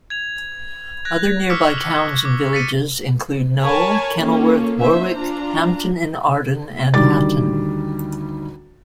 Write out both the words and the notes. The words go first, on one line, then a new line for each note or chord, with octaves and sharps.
Other nearby towns and villages include Knowle, Kenilworth, Warwick, Hampton-in-Arden and Hatton.
G#6 F7
F#6 G#6 A#6
C#6 D6 E6 F6 B6 C#7
D6
A6 B6 C#7 D#7
A#4 C#5 G#5 A5 B5
A#3 C#4 F4 A4
C#4 D#4 C5 E5
D4 F4 A#5
D2 D#3 G3 D6 A6